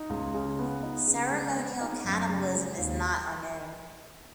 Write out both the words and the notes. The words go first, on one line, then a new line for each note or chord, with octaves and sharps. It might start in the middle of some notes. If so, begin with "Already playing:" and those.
Ceremonial cannibalism is not unknown.
Already playing: D#4
C#2
C#3
B3
D#4
C#3
G#3
B3
D#4
F#2
C#3
G#3
D#2